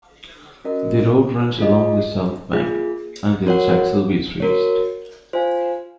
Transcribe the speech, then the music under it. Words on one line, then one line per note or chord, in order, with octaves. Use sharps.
The road runs along the south bank, until Saxilby is reached.
C#4 F#4 A#4 D#5
F4 G#4 D#5
A#3 F4 G#4
F#4 A#4 C#5 F#5
F#4 A#4 C#5
F4 C5 F5 G#5